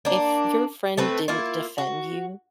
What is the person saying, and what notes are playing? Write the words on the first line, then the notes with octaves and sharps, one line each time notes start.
If your friend didn't defend you
A#3 D4
A3 C4 B4
A#3 E4 F4
F#4